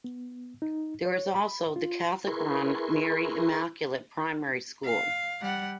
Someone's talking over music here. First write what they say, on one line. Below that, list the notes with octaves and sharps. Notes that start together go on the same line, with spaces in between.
There is also the Catholic run Mary Immaculate Primary School.
B3
D#4
C#5
B5
F4
E4 G#4 A#4 B4 C6 C#6
F5
G3 F#5